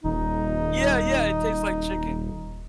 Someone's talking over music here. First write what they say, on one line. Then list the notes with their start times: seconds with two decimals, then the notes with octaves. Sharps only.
Yeah, yeah, it tastes like chicken.
0.04 D#1 D#4